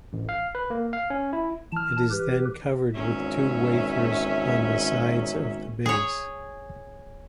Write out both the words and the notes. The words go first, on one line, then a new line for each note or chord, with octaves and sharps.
It is then covered with two wafers on the sides of the base.
A1
F5
B4
A#3
F5
C#4
E4
E3 A5 F6
G4 B4
G#1 E2 F#3 C#4 E5
G#4 C#5